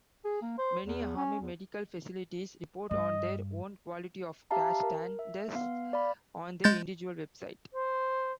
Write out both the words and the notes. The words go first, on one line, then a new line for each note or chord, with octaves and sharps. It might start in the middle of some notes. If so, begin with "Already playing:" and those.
Many Army medical facilities report on their own quality-of-care standards on their individual website.
G#4
A#3
C5
E2
C#4
E2
G2 D#5
G4 E5 F5 A5 A#5
A#4
E5
B3 F5
D5 F5 B5
G#3 G6 A6
C5